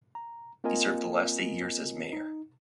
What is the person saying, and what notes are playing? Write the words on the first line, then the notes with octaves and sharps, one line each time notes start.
He served the last eight years as mayor.
A#5
A#3 C4 F4 A#4 D#5 G#5
D#4